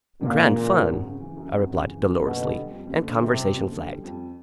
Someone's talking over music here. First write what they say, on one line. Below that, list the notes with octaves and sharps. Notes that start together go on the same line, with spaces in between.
"Grand fun!" I replied, dolorously; and conversation flagged.
G#1 A#2
C#3
E3
F#2
G#1
C#3
E3
F#2
G#1
C#3
E3
F#2
F#1 B2
D3
G3
F2
F#1
D3
C3 G3
F2
F#1
D3
G3
F2